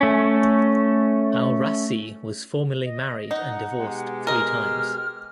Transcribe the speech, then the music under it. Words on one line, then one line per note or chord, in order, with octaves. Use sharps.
El Rassi was formerly married and divorced three times.
A3 C#4
D#5
D#4 F#5
B2 G#3 G4
A#4 D#5 F6